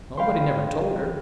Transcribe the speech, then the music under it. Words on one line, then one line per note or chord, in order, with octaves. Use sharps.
"Nobody never told her."
F5 G5 B5 C6